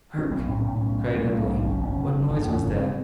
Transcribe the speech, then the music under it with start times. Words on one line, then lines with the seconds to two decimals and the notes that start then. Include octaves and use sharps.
'Hark!' cried Emily, 'what noise was that?'
0.18 C#4
0.31 B1 C4
0.46 A2 C4
0.53 C#4
0.64 A2
0.75 B1 C#4
0.97 B1
1.14 B1
1.31 B1
1.47 B1
1.59 D4
1.64 F#1 C#4
1.81 F#1 C#4
1.97 C#3
2.08 C#4
2.13 F#1
2.30 F#1 D4
2.47 E2
2.52 C#4
2.64 F#1
2.75 C4